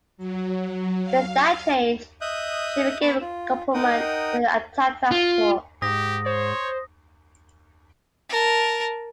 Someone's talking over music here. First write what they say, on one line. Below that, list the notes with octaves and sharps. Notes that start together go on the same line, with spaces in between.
With that change, she became a complement to the attack transport.
F#3
F5
D#5 E5 D#6 F#6 G6
B3 B5 C#6
F4
D#4 A#4 D#5 F#5 G5 D#6
F4
G#2 G4 D#6 A#6
C5 C#5
A#4 A5